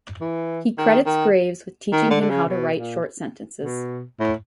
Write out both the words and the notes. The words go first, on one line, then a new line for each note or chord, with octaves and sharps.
He credits Graves with teaching him how to write short sentences.
E3
D#3
D#3
D#3
D3
D3
C#3
B2
A#2
B2
A2